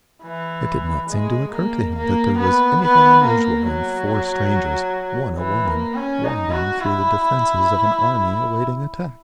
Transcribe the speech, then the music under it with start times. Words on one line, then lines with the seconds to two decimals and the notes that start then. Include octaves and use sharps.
It did not seem to occur to him that there was anything unusual in four strangers, one a woman, wandering through the defences of an army awaiting attack.
0.23 E3
1.09 G#3
1.52 A#3
1.95 A#3
2.38 B3
2.81 B3
3.24 A#3
3.66 F#3
5.38 E3
5.67 A#3
5.95 C#4
6.24 D#4
6.52 F#4
6.81 E4